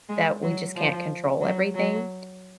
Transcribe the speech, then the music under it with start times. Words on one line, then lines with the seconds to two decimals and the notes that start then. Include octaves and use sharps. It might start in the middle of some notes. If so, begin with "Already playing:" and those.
that we just can't control everything,
0.09 G#3
0.42 F#3
0.76 F3
1.41 F#3
1.75 F#3